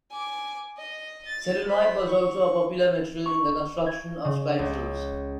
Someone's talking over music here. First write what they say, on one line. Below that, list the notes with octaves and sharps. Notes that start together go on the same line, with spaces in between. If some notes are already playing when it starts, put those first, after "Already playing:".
Celluloid was also a popular material in the construction of slide rules.
G#5 D6
D#5
A6
C5 B5
C#6
C#6
G#6
C#3
C#2